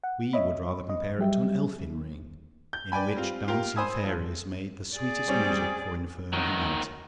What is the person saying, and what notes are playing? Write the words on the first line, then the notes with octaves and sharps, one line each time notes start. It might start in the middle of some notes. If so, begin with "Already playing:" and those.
We would rather compare it to an elfin ring, in which dancing fairies made the sweetest music for infirm humanity.
F#5
C#5 D#5 E5 B5
D#5
F#3 G3 G4 E5
G6
B4 D5 G5 G#5 B5
G3 C4 F4
F4 G4 A#4
C5 G#5 B5 D#6 E6 G#6
F3
G#4 D5
G3 C4 C#4
D#3 F#3